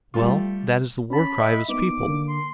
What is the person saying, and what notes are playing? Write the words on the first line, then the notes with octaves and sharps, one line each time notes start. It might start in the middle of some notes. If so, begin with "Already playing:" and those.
Well, that is the war-cry of his people.
G3 A3 F4
C#4 A5 B5
D#5 E5
A#3 B3 D#4 D6
D3 A#3
C6